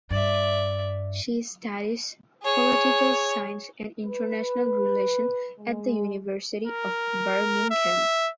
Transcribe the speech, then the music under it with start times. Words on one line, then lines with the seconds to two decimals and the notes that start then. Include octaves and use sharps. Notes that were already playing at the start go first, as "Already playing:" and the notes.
She studies Political Science and International Relations at the University of Birmingham.
0.11 G2 D5 E5
2.42 G#4 C#5
4.04 B4
5.59 G#3
6.67 A#4
7.70 E5